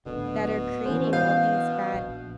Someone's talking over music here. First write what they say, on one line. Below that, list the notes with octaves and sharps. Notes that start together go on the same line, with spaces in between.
that are creating all these bad
D1 B2 D3
E3 B3 C#4 C5
B2 F5 G6
A#1